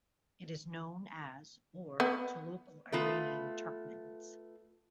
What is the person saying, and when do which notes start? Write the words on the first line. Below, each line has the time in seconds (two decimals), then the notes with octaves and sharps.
It is known as or to local Iranian Turkmens.
2.00 B3
2.92 A3 B3 F4 A4